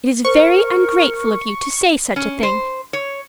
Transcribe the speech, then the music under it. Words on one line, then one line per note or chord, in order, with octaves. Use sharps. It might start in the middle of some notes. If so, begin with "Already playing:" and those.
"It is very ungrateful of you to say such a thing."
A#4 C5 C#6
C#4
C5
C#5